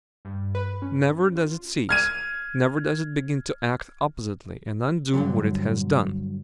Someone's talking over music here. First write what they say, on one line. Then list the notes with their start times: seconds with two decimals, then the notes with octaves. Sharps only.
Never does it cease: never does it begin to act oppositely and undo what it has done.
0.25 G2
0.55 B4
0.82 C#4
1.36 F4
1.89 F6 G#6 D#7
5.13 G2 A#2 D3 F#3